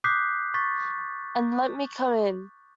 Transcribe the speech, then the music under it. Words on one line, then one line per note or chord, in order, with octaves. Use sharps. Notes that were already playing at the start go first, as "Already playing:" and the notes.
And let me come in.
D6 D#6 F#6 G6 B6 C7
C#6 A6 B6